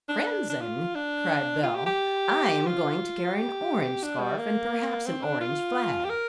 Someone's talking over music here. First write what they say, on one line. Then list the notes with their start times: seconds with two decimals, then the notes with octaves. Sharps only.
"Crimson," cried Belle, "I am going to carry an orange scarf, and perhaps an orange flag."
0.09 D4
0.50 D4
0.61 F4
0.95 D4
1.64 F4
1.75 G4
1.86 G4
2.67 F4
3.35 G4
4.03 D4
4.21 G3
4.38 A#3
5.07 C4
5.23 D4
5.41 F4
6.05 G4
6.10 A#4